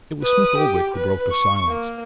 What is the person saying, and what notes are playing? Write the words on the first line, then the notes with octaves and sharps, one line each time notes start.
It was Smith-Oldwick who broke the silence.
B4 D#6
G4
B4
C#6
A#3